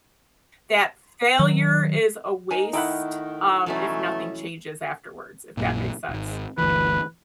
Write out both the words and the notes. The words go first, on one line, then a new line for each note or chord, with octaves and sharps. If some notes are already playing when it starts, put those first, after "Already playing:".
that failure is a waste, um, if nothing changes afterwards, if that makes sense,
D#3 F#3
D#4 A#4 G#5
D#3 A3 D#4 E4 F#5 G5 B5
B2 E3 F#3 A3 C#4
A#1 F#2 A#2
D1 G#1
G1 D2 E3 B4